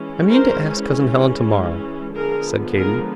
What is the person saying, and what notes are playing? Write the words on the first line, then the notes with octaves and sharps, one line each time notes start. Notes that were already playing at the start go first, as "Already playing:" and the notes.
"I mean to ask Cousin Helen to-morrow," said Katy.
Already playing: E3 G#3 C#4
A#4 C5
D3 F3 G#3 B3 G#4 A#4
G#4 A#4